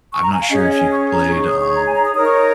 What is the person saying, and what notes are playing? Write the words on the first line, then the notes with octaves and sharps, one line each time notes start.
I'm not sure if you've played, um,
C#6
A#5
G#5
F5
C#4 G#4 C#5 D#5
D#5
G#5
C#6
A#5
D#4 G#4 C#5 C#6
D#6
C#6
A#5
G#5
A#5
D#6
D#4 A#4 C#5 D#6
C#6
D#6